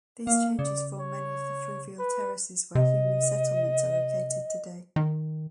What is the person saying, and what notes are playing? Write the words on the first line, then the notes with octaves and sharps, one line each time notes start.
These changes formed many of the fluvial terraces where human settlements are located today.
A#3 F5
C#3 D5
C#5
B4
C3 D#5
D#3